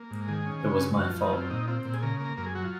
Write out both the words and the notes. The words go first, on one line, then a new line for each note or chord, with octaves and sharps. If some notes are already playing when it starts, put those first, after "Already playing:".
It was my fault.
Already playing: A#3
G#2
D#3 G#4
C#4
C#3
F#2
F3 F#4
F4
F#2
D#4
C4 F4
A#2 D#4
C4 F4
A#2
G#4
C#3 A#4
A#3
F#2 A#4
G#4
F#3 F#4
F4